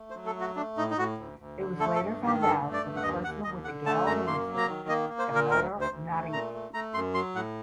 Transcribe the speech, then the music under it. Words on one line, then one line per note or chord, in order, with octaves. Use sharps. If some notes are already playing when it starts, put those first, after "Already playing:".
It was later found out that the person was the Goa minister Damodar Naik.
Already playing: A3
C5
F#3
A4
A3
F#4
A3 D4
A2 D#4
D#4
A2 F#4
D2
D2
D3
A3 A4
A4
G2
D#3
G4
G2 A4
A3
D5
G2
F#5
D#2 D#5
D#2 F#5
D#2 D#5
D3 F#5
A3 A5
F#2 A#5
A#3 C6
F#3
A#5
D#3
A#3 D#5
A#3
C5
A#2
A#4
D2 A#4
D2
C5
D2
A3
A#2 A#5
A3
A3 A#5
F#2 C6
F#3 C6
A2 F#5